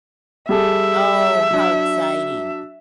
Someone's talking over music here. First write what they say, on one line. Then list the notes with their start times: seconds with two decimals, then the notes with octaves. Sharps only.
Oh, how exciting,
0.49 G3 G#4 A4 E5
1.51 F#3 D4